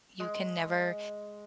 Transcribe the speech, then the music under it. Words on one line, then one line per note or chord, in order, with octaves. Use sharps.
you can never
G#3